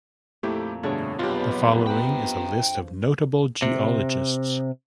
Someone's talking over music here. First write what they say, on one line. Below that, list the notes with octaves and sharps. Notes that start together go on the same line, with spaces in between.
The following is a list of notable geologists.
F2 A#2 A3 E4 G4
G2 B2 D3 A3 D4 G#4 C#5
B1 B3 F4 G4
C4 B4 G5 A#5
C3